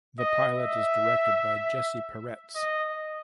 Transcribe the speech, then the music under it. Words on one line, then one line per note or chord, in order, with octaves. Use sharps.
The pilot is directed by Jesse Peretz.
D#5
E5
D#5